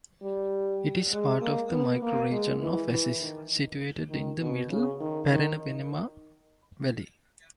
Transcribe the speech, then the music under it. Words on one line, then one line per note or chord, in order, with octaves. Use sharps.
It is part of the Microregion of Assis, situated in the middle Paranapanema Valley.
G3
G#3
A#3
B3
A#3
G#3
E3
E3
D#3
D#3
B2
C#3
D#3
D#3